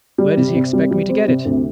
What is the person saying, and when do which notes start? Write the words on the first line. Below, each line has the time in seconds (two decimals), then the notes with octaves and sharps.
Where does he expect me to get it?
0.18 G3
0.37 C3
0.55 C3
0.73 G3
0.91 G3
1.09 C4
1.28 C3
1.45 D2